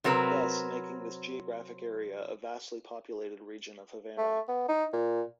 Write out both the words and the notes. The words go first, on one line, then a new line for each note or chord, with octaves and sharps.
Thus, Making this geographic area a vastly populated region of Havana.
C3 F#3 C4 A#4 B4
A3
B3
D#4
A#2